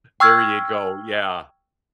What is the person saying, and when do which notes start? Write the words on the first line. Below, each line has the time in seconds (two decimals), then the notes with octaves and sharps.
There you go, yeah,
0.20 G5 C#6 E6 F6 G#6